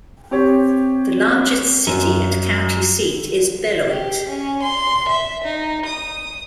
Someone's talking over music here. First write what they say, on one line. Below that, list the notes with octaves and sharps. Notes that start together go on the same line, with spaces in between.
The largest city and county seat is Beloit.
C4 G4 C#5
F#2
G4
C#4
C6
E5
D#4
D#6